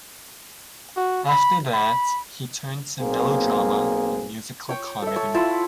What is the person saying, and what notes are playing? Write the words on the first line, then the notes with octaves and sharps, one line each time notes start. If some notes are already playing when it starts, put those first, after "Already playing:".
After that, he turned to melodrama and musical comedy.
F#4
B5
B5
B1 A#3 C4 G#4
C#5 G5
A4 E5
C#5 A5
E4 F4 F#5 A5